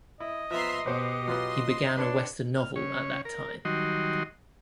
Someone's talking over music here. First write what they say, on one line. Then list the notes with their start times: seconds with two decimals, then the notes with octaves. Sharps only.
He began a western novel at that time.
0.20 E4 D#5
0.51 F3 B3 E5 A#5 C6
0.86 B2 G4 B4 C5
1.28 F#3 F4 B4 C6
1.97 D4 B4 C#5
2.57 F6
2.76 C#3 C#5
3.25 A#4
3.65 D#3 F#3 G3 F#4 D#5 C6